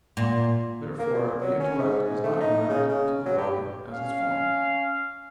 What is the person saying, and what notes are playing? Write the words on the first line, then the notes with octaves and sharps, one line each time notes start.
Therefore the intellect is not united to the body as its form.
A#2
A#3
A#2
F#3
C#4
G#2
G#2
A3
D#4
C#3
C#3
F#3
G4
C#4 F5